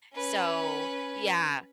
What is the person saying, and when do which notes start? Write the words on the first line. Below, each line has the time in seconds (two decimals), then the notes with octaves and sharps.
So, yeah.
0.13 C#4 B4